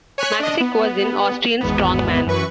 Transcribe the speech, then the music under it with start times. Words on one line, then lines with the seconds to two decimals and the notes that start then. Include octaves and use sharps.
Maxick was an Austrian strongman.
0.18 C#5 G#5 C#6 F#6 B6 C#7
0.40 D4 D#5
0.60 B3
1.61 G#1 E2 G#2 B3
2.27 F#2 E3 B4 C#6